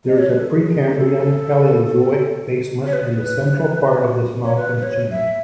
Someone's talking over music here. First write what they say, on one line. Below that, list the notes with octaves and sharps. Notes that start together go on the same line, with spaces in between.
There is a Precambrian-Paleozoic basement in the central part of this mountain chain.
D#5
C#5
B4
A4
G#4
A4
C#5
B4
C#5
B4
B4
C#5
E5